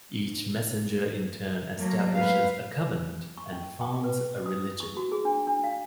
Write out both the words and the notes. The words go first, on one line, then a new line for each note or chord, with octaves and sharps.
Each messenger in turn establishes a covenant and founds a religion.
F#3 A3 A#3 A#4
G#2 B4 F5
C#6
C#4
G5
B4
D#6
C#6
F#4
G#4
D4
D4
F5